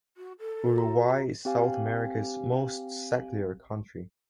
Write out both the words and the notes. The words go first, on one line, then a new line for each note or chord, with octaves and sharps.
Uruguay is South America's most secular country.
F#4
A4
F#4 A#5
C4 G4 F5 G#5